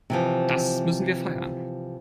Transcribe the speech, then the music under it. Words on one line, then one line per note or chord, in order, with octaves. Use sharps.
Das müssen wir feiern.
C3 E3 F3